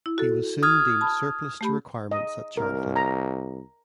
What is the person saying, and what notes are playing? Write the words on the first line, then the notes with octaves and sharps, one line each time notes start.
He was soon deemed surplus to requirements at Charlton.
E4
F#4 A4
D#6 F6 G#6
A5 B5
A3 G4 B5
D#5
C2 A#4
A#5